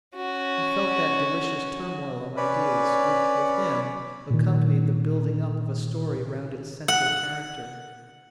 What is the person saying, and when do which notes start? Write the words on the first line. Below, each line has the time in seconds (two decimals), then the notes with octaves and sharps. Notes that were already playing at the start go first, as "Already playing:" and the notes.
He felt that delicious turmoil of ideas which with him accompanied the building up of a story round its central character.
0.16 C#4 F#4
2.37 C#4 B4 C#5 D5 B5
4.30 A#2 D#3
6.88 F#5